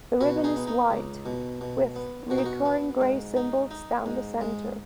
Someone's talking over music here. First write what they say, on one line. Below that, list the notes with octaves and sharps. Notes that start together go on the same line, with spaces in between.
The ribbon is white, with recurring grey symbols down the centre.
B2 F#4 B4
D#4 G#4
B3
D#4
C#2
B2
B2
B3
B2 F#4
D#4
F#4
B3
G#2
D#4
D#4
G#2
G#3